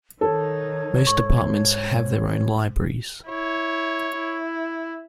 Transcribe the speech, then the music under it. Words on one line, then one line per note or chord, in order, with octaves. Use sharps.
Most departments have their own libraries.
D#3 D#4 A4 C#5
G#2 C#6
E4 C#5
E4